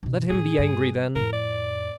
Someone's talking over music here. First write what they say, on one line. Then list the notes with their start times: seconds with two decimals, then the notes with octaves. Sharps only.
Let him be angry then.
0.03 G2 B2
0.30 A2 D4 G#4
0.59 G2
1.16 F2 A2 A#4
1.33 D5